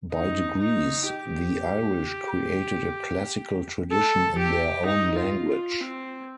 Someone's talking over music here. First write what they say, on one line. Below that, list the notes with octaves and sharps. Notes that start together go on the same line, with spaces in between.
By degrees the Irish created a classical tradition in their own language.
D#4
D#4
G4
A4
G4
D#4
F4
F4
C4